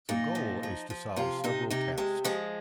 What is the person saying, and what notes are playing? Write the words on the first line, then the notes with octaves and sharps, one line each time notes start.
The goal is to solve several tasks.
A#2 D#4
F3
F3
F3
C3 F4
C3 D#4
C3 D#4
C3 G#3
F3 G#3